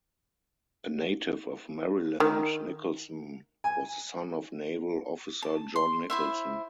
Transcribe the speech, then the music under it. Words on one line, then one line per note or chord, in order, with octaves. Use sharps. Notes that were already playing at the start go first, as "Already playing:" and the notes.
A native of Maryland, Nicholson was the son of naval officer John Nicholson.
D#3
G#5
A5
C6
E4 C5 E5